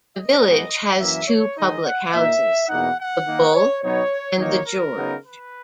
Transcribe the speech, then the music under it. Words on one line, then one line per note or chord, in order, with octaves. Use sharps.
The village has two public houses - The Bull and The George.
D#5
G#2 E3 B3 D#4
F#2 E3 A#3 E5
C#5
D#3 G#3 D#4 D#5
F#5
A#2 A#3 D#4 E5
E2 B2 A#3 D#4 F#5
F#5
D#3 A#3 D#4
C#5
B2 F#3 B3 D#4 C#5
D#3 F#3 A#3 D#4 C#5
A#4
C#3 F#3 B3 D#4
B4